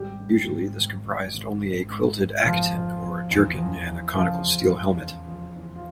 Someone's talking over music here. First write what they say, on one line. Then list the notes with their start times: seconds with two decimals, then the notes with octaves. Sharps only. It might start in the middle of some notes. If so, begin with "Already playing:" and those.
Usually this comprised only a quilted "aketon" or jerkin and a conical steel helmet.
Already playing: G#1 G3 G4
0.20 G#2
0.49 G#1
0.76 G#1
1.05 G#1
1.34 G#1
1.61 G#1
1.90 G#2
2.18 G#2
2.46 G#1 F3 F4
2.75 F3
3.02 F3
3.31 E2
3.58 F3
3.87 E2
4.15 C#3 F3 F4
4.43 E2
4.72 F3
5.00 E2
5.28 F3
5.56 E2
5.76 F4